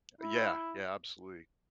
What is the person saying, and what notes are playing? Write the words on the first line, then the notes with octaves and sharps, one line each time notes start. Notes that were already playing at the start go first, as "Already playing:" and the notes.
Yeah. Yeah, absolutely.
E4